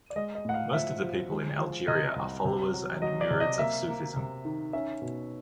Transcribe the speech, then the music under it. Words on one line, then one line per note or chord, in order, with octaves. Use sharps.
Most of the people in Algeria are the followers and murids of Sufism.
D5
G#3 D#5
D#5
A2 F#5
F5
F3 E5
F3
G#3
F3
C3 D#5
C2
C3
F#3
F#3 D#5
D5
C3
D#5
A#3 E5
A#3
C3
D#3
C#4 E5
B2